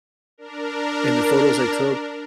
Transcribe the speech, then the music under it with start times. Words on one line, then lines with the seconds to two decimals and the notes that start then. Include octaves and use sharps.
and the photos I took
0.38 D4 A#4